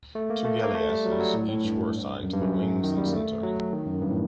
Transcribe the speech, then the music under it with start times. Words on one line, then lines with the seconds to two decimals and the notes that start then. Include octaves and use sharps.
Two galleasses each were assigned to the wings and center.
0.15 A3
0.30 A#3
0.45 A3
0.63 A#3
0.75 A3
0.89 G3
1.05 F#3
1.12 G3
1.20 F#3
1.34 A2
1.49 A2
1.64 G2
2.23 F#2
2.33 G2
2.42 F#2
2.53 F#2
2.83 D#3
2.97 G3
3.07 A#3
3.13 A3
3.43 F#3
3.73 D#3
3.87 F#2
4.02 G2
4.09 A2